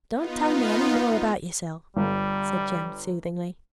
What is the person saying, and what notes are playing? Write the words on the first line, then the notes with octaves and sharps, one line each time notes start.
"Don't tell me any more about yoursel," said Jem, soothingly.
B3 D#4 F4
G1 G3